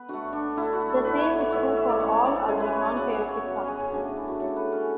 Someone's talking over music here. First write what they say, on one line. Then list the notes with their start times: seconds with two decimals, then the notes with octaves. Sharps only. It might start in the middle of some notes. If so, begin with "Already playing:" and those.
The same is true for all other non-chaotic points.
Already playing: B3 B4
0.09 D3 A3 F#4
0.32 D4
0.57 D3 A3 E4
0.73 F#4
0.89 A4
1.05 A2 E3 B3 B4
1.17 C#5
1.29 C#5
1.41 C#5
1.52 A2 E3 B3 E5
1.77 E5
1.89 D5
2.00 C#3 E3 G#3 C#5
2.13 C#5
2.25 D5
2.37 A4
2.48 C#3 E3 G#3 G#4
2.60 B4
2.73 C#5
2.84 D5
2.96 C#3 F#3 B3 F#5
3.12 E5
3.28 C#5
3.44 C#3 F#3 B3
3.56 C#4
3.68 G#4
3.80 G#4
3.92 C#3 F#3 A3 D4
4.04 D4
4.17 E4
4.28 F#4
4.40 C#3 F#3 A3 A4
4.56 B4
4.72 C#4